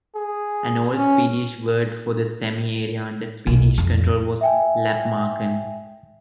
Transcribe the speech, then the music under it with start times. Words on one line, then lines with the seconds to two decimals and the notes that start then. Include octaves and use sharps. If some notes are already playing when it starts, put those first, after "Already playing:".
An old Swedish word for the Sami area under Swedish control was "Lappmarken".
0.15 G#4
0.95 C#4
3.47 B1
3.78 F2
4.41 E5 G5 G#5